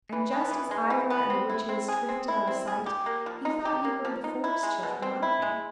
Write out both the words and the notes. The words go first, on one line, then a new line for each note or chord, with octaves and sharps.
And just as Ivra and the Witches drifted out of sight, he thought he heard the Forest Children laughing.
E3
B3
E3
G#3
E3
B3
C4
E4
C4
G#4
C4
E4
C4
G#4
G4
A#3
F3
D#4
G4
A#3
F3
D#4
E4
G#3
B2
C4
E4
G#3